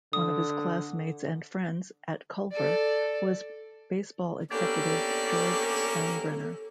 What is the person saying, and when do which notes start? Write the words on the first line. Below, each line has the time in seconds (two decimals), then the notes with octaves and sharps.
One of his classmates and friends at Culver was baseball executive George Steinbrenner.
0.13 D3 D#6
2.52 A4 D5
4.51 A#3 B3 C#4 D4 G4 A4 D5